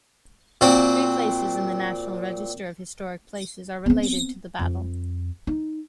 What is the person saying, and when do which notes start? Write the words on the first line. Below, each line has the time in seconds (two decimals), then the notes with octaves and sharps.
Three places in the National Register of Historic Places are related to the battle.
0.61 A#2 C4 F#4
3.86 B3 C4
4.59 F2
5.47 D#4